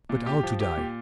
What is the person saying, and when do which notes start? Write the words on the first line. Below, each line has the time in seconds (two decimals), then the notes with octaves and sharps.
But how to die?
0.09 A#2
0.26 G4
0.43 F3
0.60 G4
0.77 A#2